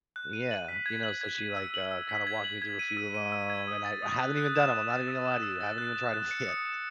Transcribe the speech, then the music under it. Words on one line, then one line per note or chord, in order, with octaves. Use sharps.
Yeah, you know? So, she, like, uh, kinda walked me through a few of 'em, and I I haven't even done 'em, I'm not even gonna lie to you, I haven't even tried 'em yet.
F#6
D#7
F#7
B6
G#6
F#7
G#6
D#7
E6
F#7
E6
B6
G#6
F#7
G#6
D#7
E6
D#7
E6
G#6
D#6
A6
D#6
F#6
F#6
E7
F#6
A6
E6
E7
E6
A6
F#6
E7
F#6
C#7
D#6
E7